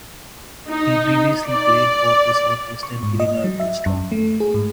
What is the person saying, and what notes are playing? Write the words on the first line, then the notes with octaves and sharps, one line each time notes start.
He previously played for the Southwestern Illinois Blue Storm.
D#4
D5
C#6
G#2
D#5
F#3
E5
F#2
A3
G#4
G#2